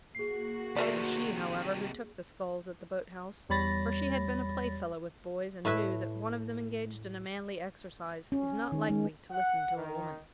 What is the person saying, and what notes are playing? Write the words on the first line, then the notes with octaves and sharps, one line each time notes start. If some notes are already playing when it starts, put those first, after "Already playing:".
It was she, however, who took the sculls at the boat-house, for she had been a playfellow with boys, and knew that one of them engaged in a manly exercise is not likely to listen to a woman.
A#3 F#4 G#4 C7
C3 D#3 A3 A#4 D5
E2 G3 C#5 B5 A6 A#6
A2 E4 B4 E5
C#4
D#3
G#3
F#5
D#3